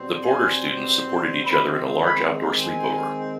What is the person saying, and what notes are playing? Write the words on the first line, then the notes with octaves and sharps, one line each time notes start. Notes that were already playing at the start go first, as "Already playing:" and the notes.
The Porter students supported each other in a large outdoor sleepover.
Already playing: B2 G3 C4
G#5
D#3 G#3 C4 B5
B5
G#5